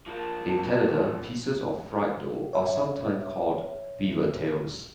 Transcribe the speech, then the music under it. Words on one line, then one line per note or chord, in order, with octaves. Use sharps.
In Canada, pieces of fried dough are sometimes called beaver tails.
F3 A#3 A5
C#5 E5